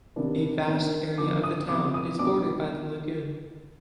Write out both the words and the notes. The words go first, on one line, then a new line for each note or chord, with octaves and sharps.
A vast area of the town is bordered by the lagoon.
C3 D#3 B3 D4
D#3 B3 D4
D3 F3 B3 D6
D#6
C3 F3 B3 D6
D#6
B2 B3 D4 D6